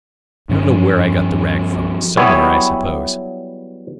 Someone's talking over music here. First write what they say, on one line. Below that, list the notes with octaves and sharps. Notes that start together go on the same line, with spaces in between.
"I don't know where I got the rag from--somewhere, I suppose."
G2 F3 C#4
F#3 G3 B3 E4 G#4 C#5